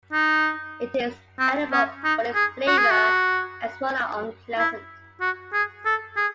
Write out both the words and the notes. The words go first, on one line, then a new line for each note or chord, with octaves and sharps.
It is edible but its flavor and small are unpleasant.
D#4
C4
C#4
D#4
G#4
F#4
G#4
F#4
E4
F#4
G#4
A4
G#4